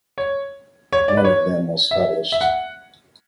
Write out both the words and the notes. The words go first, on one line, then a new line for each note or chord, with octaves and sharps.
None of them was published.
C#5
C#5
D5
B4
C#5
E5
E5
F#5